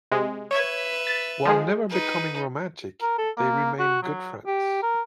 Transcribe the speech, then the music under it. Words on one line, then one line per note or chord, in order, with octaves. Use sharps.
While never becoming romantic, they remained good friends.
C3 G#3
B4 C#5 E5 G#6
A6
F3 G#3 G#4
D#4 B4
A#4
A4
A#3
F#4
F#3
G4
A#4